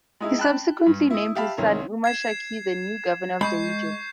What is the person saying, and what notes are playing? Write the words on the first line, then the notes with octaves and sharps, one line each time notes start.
He subsequently named his son Umar Shaikh the new governor of the region.
G#3 D#4 E4
G5 A5 B5 F#6
G2
E4 D#6
G4 E5 F5 A5 B5
C2 D#3 C#4 C#5 A#5
G#6 C7 E7
G#3 B5 C#6 G6 C7